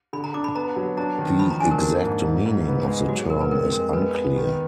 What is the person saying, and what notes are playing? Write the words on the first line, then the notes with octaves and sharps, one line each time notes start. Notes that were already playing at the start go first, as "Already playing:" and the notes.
The exact meaning of the term is unclear.
D3 B5
A#5
D4 D6
B5
B3 A#5
F#3
D4 A#5
D#3
F3 B5
A#5
D4 G#5
A#4
A#3 F#4
G#2
G#2
G#2
B3
G#3
F#3 F#4
G#4
B2 A#4
B4
F2 A#4
G#3 A#4
B3 B4
B3
D#3